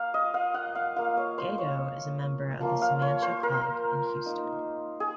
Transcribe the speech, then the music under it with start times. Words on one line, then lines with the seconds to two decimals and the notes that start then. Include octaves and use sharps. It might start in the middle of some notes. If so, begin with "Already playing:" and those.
Gado is a member of the Samantia Club in Houston.
Already playing: A#3 F4 F5
0.14 D#5
0.34 F5
0.54 F#5
0.75 F5
0.96 A#3 F4 F5
1.17 C#5
1.38 C5
1.58 C#5
2.60 F3 A#3 F4
2.82 F5
3.02 C#5
3.22 C5
3.43 A#4
4.26 A#3 D#4
5.00 G#4